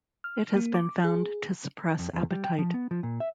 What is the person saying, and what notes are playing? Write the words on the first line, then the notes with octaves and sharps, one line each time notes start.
It has been found to suppress appetite.
F6
A#3
D6
G#4
F2
E2
G3
G5
F3
B3
F3
A#2
E5